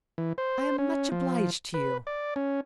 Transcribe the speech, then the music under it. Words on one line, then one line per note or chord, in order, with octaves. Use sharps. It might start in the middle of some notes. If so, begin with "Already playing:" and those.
I am much obliged to you.
E3
C5
C#4
F3
B4
D5
C#4